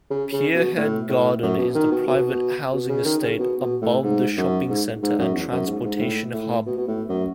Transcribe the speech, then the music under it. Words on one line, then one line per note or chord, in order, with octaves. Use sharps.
Pierhead Garden is the private housing estate above the shopping centre and transportation hub.
C#3
C#3
B2
A2
A2
F#2
B2
D#3
B2
B2
B2
C#3
D#3
C#3
B2
B2
A2
G#2
F#2
G#2
G#2
F#2
E2
F#2
G#2
G#2
G#2
A2
A2
B2
B2
A2
F#2